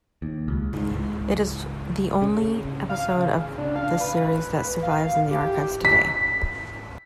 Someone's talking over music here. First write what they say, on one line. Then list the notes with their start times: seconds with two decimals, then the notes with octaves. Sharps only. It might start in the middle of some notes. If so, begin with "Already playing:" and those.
It is the only episode of this series that survives in the archives today.
0.22 D#2
0.48 C#2
0.74 G#2
0.94 C#2
2.22 C#3
2.89 F5
3.16 C#3
3.58 D4
3.76 F5
4.00 B4
4.83 F5
5.31 G4
5.85 B6